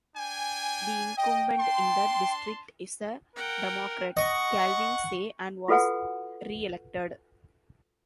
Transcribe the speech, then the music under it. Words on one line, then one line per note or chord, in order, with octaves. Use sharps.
The incumbent in that district is a Democrat, Calvin Say, and was reelected.
D4 G5 G#5
D#5 G5
D4 A5 C6
A#4 F#5 G5
D#5 F#5 C#6
F4 F#4 A4 B4 F#5 G#5